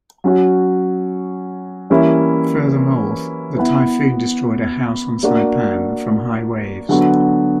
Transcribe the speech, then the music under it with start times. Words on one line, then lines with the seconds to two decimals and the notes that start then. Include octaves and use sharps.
Further north, the typhoon destroyed a house on Saipan from high waves.
0.24 F#3 C#4 F#4
1.90 E3 G3 A#3 C#4 E4
3.56 B3 E4 B4
5.23 A#3 D4 F#4
6.89 D3 F#3 B3 F#4